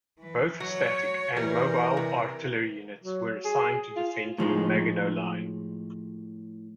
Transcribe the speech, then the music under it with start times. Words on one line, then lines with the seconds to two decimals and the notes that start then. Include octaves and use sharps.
Both static and mobile artillery units were assigned to defend the Maginot Line.
0.19 E3 B4
0.60 F#3 C#5
1.37 E3 G3 A#4
1.97 C3
3.04 F#3
3.45 G#4
3.96 F4
4.38 A2 F3 G#3 D#4